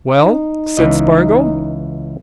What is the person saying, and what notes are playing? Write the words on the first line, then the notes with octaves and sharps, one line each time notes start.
"Well?" said Spargo.
D#4
C#2 E3 D#5